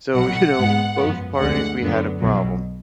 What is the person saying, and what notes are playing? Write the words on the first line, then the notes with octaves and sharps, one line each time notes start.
So, you know, both parties, we had a problem
B1 B2 F#3 F#5
G#2 G#3 B3
F#2 F3 B3
D2 D3 G#3 F#5
F#2 D3 F#3 B3
B1 B2 F#3